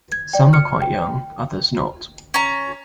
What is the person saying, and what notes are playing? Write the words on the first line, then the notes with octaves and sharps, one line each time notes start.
Some are quite young, others not.
G#6
D5 G5
F6 C#7
G5
C#4 A#5